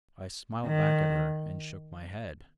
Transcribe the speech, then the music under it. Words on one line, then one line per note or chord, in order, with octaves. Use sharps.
I smiled back at her, and shook my head.
D#3